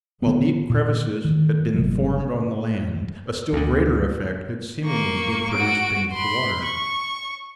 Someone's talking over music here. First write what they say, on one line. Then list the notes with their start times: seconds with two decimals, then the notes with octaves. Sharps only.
While deep crevices had been formed on the land, a still greater effect had seemingly been produced beneath the water.
0.22 D3 B3
0.70 A#2
1.25 D#3
1.74 G1 C3 F#3 G#3
3.53 D2 D3
4.85 A#3 C#6
5.54 F#4 D7
6.13 B5 C6
6.65 C#6